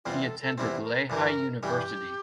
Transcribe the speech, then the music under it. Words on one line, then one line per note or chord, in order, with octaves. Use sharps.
He attended Lehigh University.
E2 C3 G3 C4 F4
A4
A4
E2 C3 G3 C4 E4
A#4
G2 E3 G3 A#4
G2 E3 G3 G4